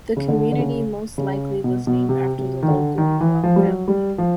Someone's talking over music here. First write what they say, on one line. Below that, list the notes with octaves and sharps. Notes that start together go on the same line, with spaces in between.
The community most likely was named after the local Milam family.
C#3
D3
D3
C#3
C#3
B2
B2
C3
C3
D#3
D3
D#3
E3
F3
G3
F#3
G3
F3